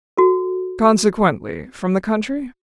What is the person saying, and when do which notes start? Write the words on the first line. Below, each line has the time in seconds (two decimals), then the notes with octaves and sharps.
'Consequently, from the country?'
0.17 F#4 A4